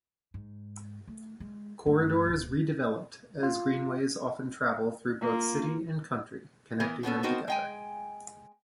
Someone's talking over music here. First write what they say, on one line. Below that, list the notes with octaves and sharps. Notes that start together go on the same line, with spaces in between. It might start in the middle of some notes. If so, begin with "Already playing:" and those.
Corridors redeveloped as greenways often travel through both city and country, connecting them together.
G#2
A3
G#3
G2 A3
D1
F4
A#3 F4
E3 B3 A#4
B2 B3 C#4 A4
B3 C4 D#4 F#4 A#4 C5
G#3 G5 G#5